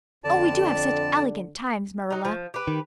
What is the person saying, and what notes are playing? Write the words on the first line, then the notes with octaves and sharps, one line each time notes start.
Oh, we do have such elegant times, Marilla.
F2 D3 D5 A5
F#3 D#4
F3
G4 B4
D#3